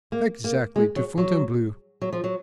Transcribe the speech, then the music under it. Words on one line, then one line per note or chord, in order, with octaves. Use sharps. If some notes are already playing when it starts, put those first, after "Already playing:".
"Exactly; to Fontainebleau."
A#3
A#3
G#3
F#3
F#3
F#3
F3
F#3